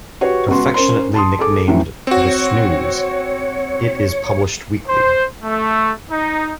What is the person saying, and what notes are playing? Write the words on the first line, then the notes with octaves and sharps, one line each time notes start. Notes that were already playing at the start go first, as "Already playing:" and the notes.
Affectionately nicknamed "The Snooze", it is published weekly.
F#4 G4 B4 C#5
C#2 B3 F#4 C6
C#4 A#4 C5 C6
A5 C6 D#6
G#4 A4 D6
A2 D3 E3 F#3 C#4
C4 F#4 C#5
C5
A3
D#4